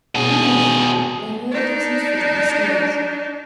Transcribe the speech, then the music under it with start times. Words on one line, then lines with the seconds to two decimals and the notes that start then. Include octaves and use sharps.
In the middle, they heard Dixon's foot on the stairs.
0.15 B2 G#4
1.51 D4 D#4